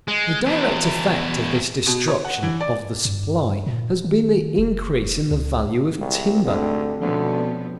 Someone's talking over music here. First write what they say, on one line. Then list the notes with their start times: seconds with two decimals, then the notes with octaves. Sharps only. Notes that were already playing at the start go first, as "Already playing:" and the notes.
The direct effect of this destruction of the supply has been the increase in the value of timber.
0.08 G#3
0.46 E2 B2
1.87 B2
2.08 C#5
2.25 F#5
2.43 E3
2.60 D5
3.05 G2
3.66 A#2
4.04 D#3
4.58 F1
5.31 C#2
5.98 C2 G#3
6.45 D2 G#2 D3 C4 G4
7.01 B2 D3 F3 B3 C#4 D4 C5